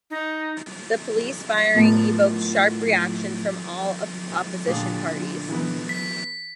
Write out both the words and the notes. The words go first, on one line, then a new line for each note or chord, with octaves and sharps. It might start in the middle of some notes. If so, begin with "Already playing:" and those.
The police firing evoked sharp reaction from all opposition parties.
D#4
A2 B3 F4 A#4 D5 A5
A#2 D3 F4 G4 G#4
E3 G#3 B3
B6